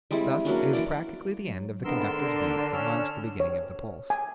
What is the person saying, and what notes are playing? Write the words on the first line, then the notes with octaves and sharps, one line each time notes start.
Thus it is practically the end of the conductor's beat that marks the beginning of the pulse.
G3 G#3 C4 E4
F#3 A#3 C#4 D4
E3 A#3 D5
F#3
C2 G#2 D3 B3 D4 A#4 C6 E6
D4 D5
C#4 E6 F6
C#5
G#5